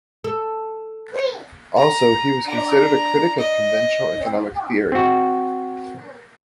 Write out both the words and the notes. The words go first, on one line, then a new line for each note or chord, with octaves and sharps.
Also, he was considered a critic of conventional economic theory.
A4
A#5
D4 A#5
D#5
C4 F#4